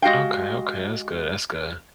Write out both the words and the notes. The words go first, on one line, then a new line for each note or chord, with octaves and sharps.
Okay, okay, that's good, that's good,
G#3 F#4 G4 F5 G5